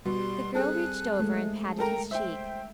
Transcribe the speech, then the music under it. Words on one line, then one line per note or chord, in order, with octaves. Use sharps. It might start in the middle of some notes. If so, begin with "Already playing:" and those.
The girl reached over and patted his cheek.
B2 G3 C6
C4 G#4 A4 F#6
G#3 A3
A4 A#4 G5 A#5
C5 E5 G5